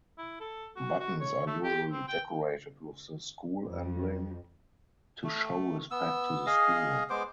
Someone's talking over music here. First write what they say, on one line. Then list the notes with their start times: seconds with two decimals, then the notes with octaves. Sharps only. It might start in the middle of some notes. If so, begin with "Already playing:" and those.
Buttons are usually decorated with the school emblem to show respect to the school.
0.18 E4
0.40 A4
0.76 F#4
1.00 F#4
1.21 C#5
1.47 A3
1.64 G4
1.92 C4
2.08 G5
3.66 F2
5.24 A3
5.91 B3 E6
6.46 G#4 D#5 F5
7.10 G#3 B3 C5 D6